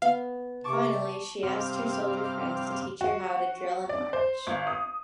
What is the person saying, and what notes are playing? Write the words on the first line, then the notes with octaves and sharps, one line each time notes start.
Finally she asked her soldier friends to teach her how to drill and march.
B3 F5
C3 A5 C#6 D6
G2 C3 C4 F5 D6 F6
F#4
D5
C5
G1
D#6